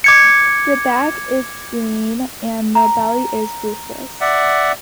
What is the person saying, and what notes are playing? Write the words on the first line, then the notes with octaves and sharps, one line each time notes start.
The back is green and the belly is rufous.
D6 G#6 C#7
A#5
D5 E5 F#5